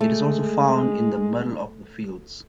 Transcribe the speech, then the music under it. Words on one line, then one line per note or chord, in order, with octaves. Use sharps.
It is also found in the middle of the fields.
G#3 A3